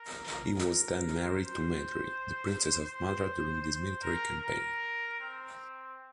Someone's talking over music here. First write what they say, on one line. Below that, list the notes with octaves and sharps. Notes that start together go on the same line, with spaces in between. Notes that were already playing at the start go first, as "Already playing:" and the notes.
He was then married to Madri, the princess of Madra during this military campaign.
Already playing: A#4
A#4
C5
C5
C5
A#4
A#4
C4